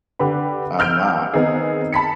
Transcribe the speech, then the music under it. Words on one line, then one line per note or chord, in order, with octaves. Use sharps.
I'm not,
D3 G4 B4 B5
E6 F6 G6 D7
D#3 B3 C4 D#4 G#4
A5 B5 B6 C#7